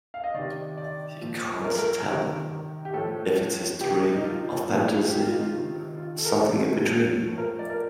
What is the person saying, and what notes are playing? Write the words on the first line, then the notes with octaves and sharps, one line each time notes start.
He can't tell if its history, or fantasy, or something in between.
F5
D#5
C3 D#3 D5
D5
A#2 F3
A#4
A4
A#4
C3 D#3
G4
A2 F3 A4
C3 F3 G4
D#4
F4
A#2 F3
G4
F4
D#4
F4
C3 D#3
F4
A4
A#4
A2 F3 A4
A2 F3
A#4
D5
A#4